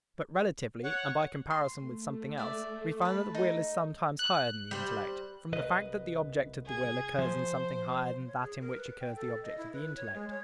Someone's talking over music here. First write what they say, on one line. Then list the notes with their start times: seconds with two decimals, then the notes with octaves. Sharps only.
But relatively and by comparison with something else, we find that the will is sometimes higher than the intellect, from the fact that the object of the will occurs in something higher than that in which occurs the object of the intellect.
0.83 C#5 F#5
1.50 C6
1.81 A3
2.38 D5 E5
3.02 B4 A5
3.35 D#4
4.19 F#6
4.71 G3 C5
5.53 C2 B4 D#5
6.66 G#4 G#6
7.19 F3 C5
8.26 C#5
8.42 G#4
8.61 A#4
8.77 B4
9.00 G5
9.15 A4
9.43 D#5
9.58 E4
9.73 B4
9.96 C#5
10.14 G#3
10.30 C#5